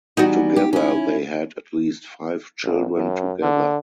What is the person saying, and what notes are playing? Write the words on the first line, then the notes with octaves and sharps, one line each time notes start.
Together they had at least five children together.
E3 G3 B3 D#4 F#4
G4
C#4 E4
A#1
F#2
D3